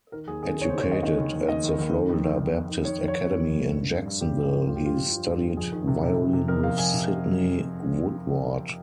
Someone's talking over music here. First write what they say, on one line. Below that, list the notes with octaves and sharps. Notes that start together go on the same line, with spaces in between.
Educated at the Florida Baptist Academy in Jacksonville, he studied violin with Sidney Woodward.
D#3 A#4
D#2 G#4
D#3 G#4
D#3 C#5
C5
D#3
C#5
D#2 D#5
D#3 D#5
D#2
D#2
D#3 D#5
D#2
D#2
D#3
F2
D#3
D#3
D#3
D#3
D#3 C#5
F2
C#5
D#3
D#3
F2
F2
G2
G2
G2
G2 G4
F3
F3
F3 F4
G4
F3 F4
F3
F3
G2
F3
F2 G#4
D#3
C3
C3
C3
C3
F2 A#4
F2 F5
F2 G#5
C3